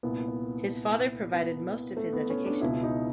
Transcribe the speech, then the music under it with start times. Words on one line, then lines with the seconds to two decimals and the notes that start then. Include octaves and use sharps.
His father provided most of his education.
0.03 C2 A#2 B3
1.33 B3
1.97 A3
2.13 B3
2.30 C#4
2.46 D4
2.61 C#2 B2 E4
2.83 D#4